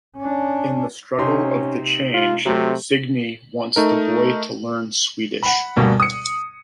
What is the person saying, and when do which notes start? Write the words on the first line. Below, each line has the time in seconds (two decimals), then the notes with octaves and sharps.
In the struggle of the change Signe wants the boy to learn Swedish.
0.17 C#4 D4
1.18 C3 C#4 D#4 C6
2.14 F4
2.46 C3 F#3 A3 C4
3.76 A3 D#4 A#4
5.43 F#5 B5
5.76 D2 G2 B2 G3 A#3
6.00 D#6 C#7